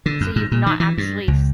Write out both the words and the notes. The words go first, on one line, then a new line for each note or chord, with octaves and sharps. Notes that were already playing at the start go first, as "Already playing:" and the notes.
so you've not actually
D3
F#2
G#2
A#2
D#3
E3
G2
C#2